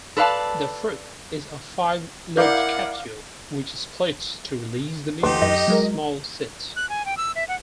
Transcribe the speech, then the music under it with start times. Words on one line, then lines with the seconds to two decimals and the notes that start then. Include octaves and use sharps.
The fruit is a five-lobed capsule, which splits to release the numerous small seeds.
0.17 A4 B4 D5 F5 A5
2.37 E4 A#4 D5 F5 F#5 D6 G6
5.23 D2 D#4 G4 B4 C6
5.42 F#2 D#5
5.68 F#3 G#3 A#4
6.76 F#6
6.89 G#5
7.06 G5
7.17 E6
7.35 E5
7.48 F#5